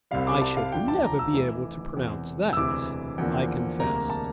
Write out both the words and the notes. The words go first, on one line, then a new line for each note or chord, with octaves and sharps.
"I should never be able to pronounce that," I confessed.
C2 C3 G3 F5
D6
A5
F5
E1 D2 D3 F3 G5
A5
A#5
E6
F1 F2 E3 A3
E1 E2 C3
E6
E1 D2 C3 E3 D6
E2 D3 F3 A#3
E1 D2 C3 G3 A#3 A#5
A5